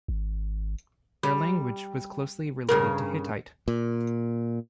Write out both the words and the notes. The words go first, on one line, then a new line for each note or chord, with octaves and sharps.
Their language was closely related to Hittite.
G#1
G3
G2 C#3 A#4
A#2